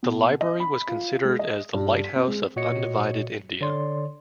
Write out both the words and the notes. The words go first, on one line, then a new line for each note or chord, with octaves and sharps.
The library was considered as the Lighthouse of undivided India.
B2
D#5
B5
F4
G#3
D#5
G2
B6
C4
G#3
A#2 F#4 C#5 D#5 C#7
D3 C#5 D5 C6